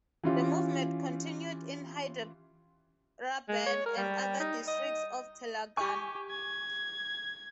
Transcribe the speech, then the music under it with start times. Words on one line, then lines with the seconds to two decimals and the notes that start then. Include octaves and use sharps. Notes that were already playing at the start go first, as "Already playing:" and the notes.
The movement continued in Hyderabad and other districts of Telangana.
0.24 E3 C#4 F4 G4
3.49 G#3
3.66 C#5
3.86 A#4
3.97 G3
4.40 D#4
4.68 D#5
5.77 G4 G#5 C#6
6.30 G#6